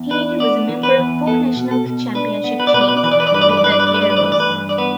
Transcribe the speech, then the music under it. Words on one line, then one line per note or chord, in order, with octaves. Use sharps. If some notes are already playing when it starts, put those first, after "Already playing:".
Heaney was a member of four national championship teams with the Aeros.
Already playing: E2
D4 B4
B3 D5
E3
B4
E2
B3 A4
B2
A4
B2
D4 B4
B3
B4
D5
B2 B4
D5
B4
D5
E3 B4
D5
B4
D5
G2 B4
D5
B4
D5
G2 B4
D5
B4
D5
A3 B4
D5
B4
D5
E3 B4
D5
B4
G2
D5
B3 B4